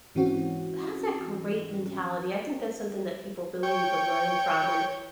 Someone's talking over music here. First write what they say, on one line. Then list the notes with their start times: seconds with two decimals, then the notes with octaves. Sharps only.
That's a great mentality, I think that's something that people really need to learn from, and
0.15 G#2 E3 C4 C#4 F#4
3.63 C#5 G5